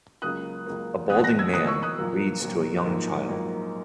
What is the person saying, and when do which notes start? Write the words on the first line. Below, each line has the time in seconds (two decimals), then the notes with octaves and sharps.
A balding man reads to a young child.
0.22 C#2 C#3 F#3 A#3 D#6 F#6
0.66 C#2 C#3 F#3 A#3
1.10 E2 B2 A#3 D#6 F#6
1.24 F#6 A#6
1.39 E6 G#6
1.54 E2 B2 A#3 D#6 F#6
1.68 C#6 E6
1.83 D#6 F#6
1.97 A#1 A#2 F#3 A#3
2.41 A#1 A#2 F#3 A#3
2.85 A#1 G#2 F#3 A#3
3.29 A#1 G#2 F#3 A#3